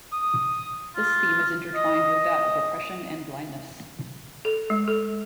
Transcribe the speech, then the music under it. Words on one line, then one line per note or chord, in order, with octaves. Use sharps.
This theme is intertwined with that of oppression and blindness.
D#6
F4
D#5
A4
G#3
A4